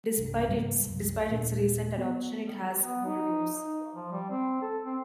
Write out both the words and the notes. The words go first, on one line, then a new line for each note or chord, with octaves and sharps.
Despite its recent adoption, it has old roots.
C2 G2
G#2 C#3 G3 A#3
C2 F#2
D#1 A#2 G#3 D4
B3
B3
D#4
D#4
F3
G3
C4
A4
C4